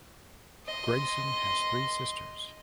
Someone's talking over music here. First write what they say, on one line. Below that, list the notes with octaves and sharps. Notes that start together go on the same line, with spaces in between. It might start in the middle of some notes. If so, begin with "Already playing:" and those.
Grayson has three sisters.
D#5 C6